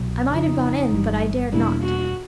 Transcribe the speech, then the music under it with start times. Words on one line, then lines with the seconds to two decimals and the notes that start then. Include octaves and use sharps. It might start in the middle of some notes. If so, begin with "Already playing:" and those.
I might have gone in, but I dared not.
Already playing: C2 B2 F#3
0.31 F2 C#3 F3 D#4
0.92 G1 G2 E3 G3
1.53 E2 B2 G3 A#3 D4 E4
1.83 F#4